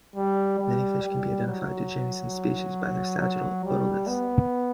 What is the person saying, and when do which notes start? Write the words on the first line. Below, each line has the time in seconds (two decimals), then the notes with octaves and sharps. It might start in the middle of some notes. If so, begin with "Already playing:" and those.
Many fish can be identified to genus and species by their sagittal otoliths.
0.16 G3
0.59 G3
1.03 G3
1.47 F#3
3.20 F#3
3.64 G3
4.07 B3